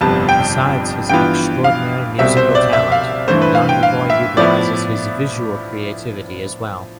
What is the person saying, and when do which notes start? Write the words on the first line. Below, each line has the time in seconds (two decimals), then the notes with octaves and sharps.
Besides his extraordinary musical talent Yonderboi utilizes his visual creativity as well.
0.01 G1 F2 C3 G3 B3 A5
0.29 G5
1.09 G2 E3 B3 F4 G5
1.64 F5
2.18 C2 B2 G3 C4 E5
2.37 C5
2.55 D5
2.73 E5
2.92 F5
3.28 G2 E3 A3 C5
3.42 B4
3.55 F5
3.69 G5
3.83 F5
4.10 E5
4.37 A2 F3 B3 E4 D5